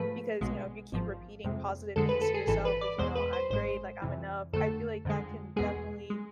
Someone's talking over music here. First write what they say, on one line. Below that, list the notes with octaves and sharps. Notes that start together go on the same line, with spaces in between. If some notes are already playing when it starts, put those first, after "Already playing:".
because, you know, if you keep repeating positive things to yourself, like, you know, "I'm great," like, "I'm enough," I feel like that can definitely
Already playing: G#2 F3 A3 B4
B1 B2 G#3
G#1 G#2 F3
F2 C3 G#3
F2 D3 G#3 A4
B4
A4
G#4
G#1 G#2 E3 A4
B4
D5
E2 B2 G#3 C5
B4
C5
G#1 G#2 G#3 C5
F2 C3 E3
F2 D3 A3 A4
F2 D3 G#3
E2 B2 G#3 G#4
G#3